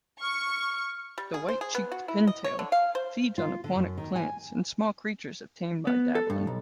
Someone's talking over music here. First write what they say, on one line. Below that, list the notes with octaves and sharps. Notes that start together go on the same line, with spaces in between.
The white-cheeked pintail feeds on aquatic plants and small creatures obtained by dabbling.
C#6 F6
G3
G#4
C5
G#4
B3
F#4
E4
D#5
C#5
D3
F5
C5
F4
D3
F#2
D#3
G#5
B3
A4
G2
B1